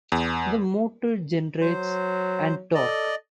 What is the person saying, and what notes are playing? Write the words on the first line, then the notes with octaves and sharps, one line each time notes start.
The motor generates and torque.
E2
F#3 C5
A4 D5 D#5